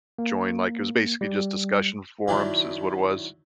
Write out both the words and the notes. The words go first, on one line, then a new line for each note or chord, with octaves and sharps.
join, like, it was basically just discussion forums, is what it was.
A#3
G3
D#3 F#3 D4 E4